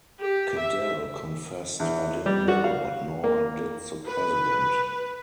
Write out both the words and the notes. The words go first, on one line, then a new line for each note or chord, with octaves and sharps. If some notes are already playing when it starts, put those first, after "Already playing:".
Cadell confessed 'I didn't know but nor did the president.
G4
E5
E2
G3
F#4
F5
A#3
B4